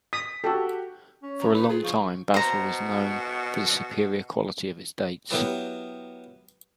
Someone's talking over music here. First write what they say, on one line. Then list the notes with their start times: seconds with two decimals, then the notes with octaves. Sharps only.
For a long time, Basra was known for the superior quality of its dates.
0.13 D#6 B6
0.44 F#4 G4 A4
1.23 C#4
1.41 A#5
1.55 D#4 B4
1.69 F4 G#4
1.84 F3 C#6
2.34 B2 C5 A#5
5.31 F#3 B3 E4 G4 A#4